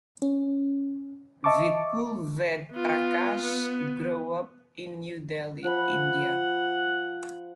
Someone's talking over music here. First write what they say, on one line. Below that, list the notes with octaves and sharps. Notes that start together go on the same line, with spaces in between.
Vipul Ved Prakash grew up in New Delhi, India.
C#4
D#5 E5 A5 C#6 D6
B3 F4
B3
F3 F#5 B5